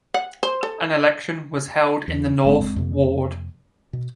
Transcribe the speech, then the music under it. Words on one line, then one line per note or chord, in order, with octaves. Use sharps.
An election was held in the North Ward.
F#5
C5
A4
E2
G1 G#3 C4
F2 C3 A#3
B2